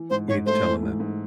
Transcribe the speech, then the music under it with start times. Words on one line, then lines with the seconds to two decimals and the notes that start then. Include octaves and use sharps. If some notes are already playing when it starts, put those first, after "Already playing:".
You need to tell him that
Already playing: E3
0.10 G#2 C5
0.28 G#2 C#5
0.46 A3 C5
0.64 E3
0.83 G#2
1.00 G#2